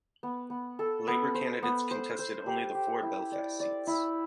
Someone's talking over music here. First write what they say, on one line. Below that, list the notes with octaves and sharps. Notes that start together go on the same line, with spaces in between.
Labour candidates contested only the four Belfast seats.
B3
B3
A4
B3
C5
B3
C5
C5
G4
G4
E4
D5
D5
E4